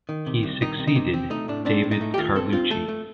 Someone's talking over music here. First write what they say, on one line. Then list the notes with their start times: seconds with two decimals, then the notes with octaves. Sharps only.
He succeeded David Carlucci.
0.09 D#3
0.26 C3
0.43 C2
0.61 D#3 D#4
0.79 C3
0.87 D#4
0.96 C3
1.14 C4
1.30 A3 D#4
1.48 A2 D4
1.65 C4 D4
1.83 A2
1.91 D#4
2.01 A3
2.14 G4
2.18 D#2 F4
2.35 C4 A4
2.53 C4 F4
2.70 A3 A4
2.88 A3